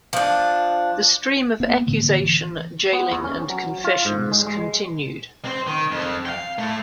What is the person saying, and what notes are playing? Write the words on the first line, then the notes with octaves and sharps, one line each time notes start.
The stream of accusation, jailing and confessions continued.
F3 D4
A#3 B3
A2 D3 E3 A#3
E3
B3
E2
C#4
F#3
F4
G#2
G#3
G#3
C4 C5
D#3
F2
F5 G5
A3 E4